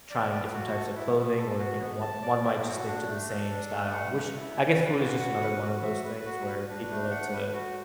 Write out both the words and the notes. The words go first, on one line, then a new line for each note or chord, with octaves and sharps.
trying different types of clothing where, you know, one one might just stick to the same style, which I guess food is just another one of those things where people like to
D5
B4
F#4
A4
E4
B3
A4
F#4
B3
A5
D5
E4
F#4
D4
A3
A4
D4
A3
F#5
B4
E4
D5
B4
F#4
F#5
B4
F#4
E5
B4
F#4
B4
D4
A3
F#5
B4
F#4